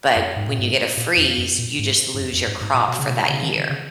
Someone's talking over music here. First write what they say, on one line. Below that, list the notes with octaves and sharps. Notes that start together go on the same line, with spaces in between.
But when you get a freeze, you just lose your crop for that year.
F#2
G#2
A#2
G#2
A#2
F2
F#2
A#2
G#2
G#2
F#2
F2
G#2
G#2
A#2
B2
C#3
B2
C#3
D#3
D#3
C#3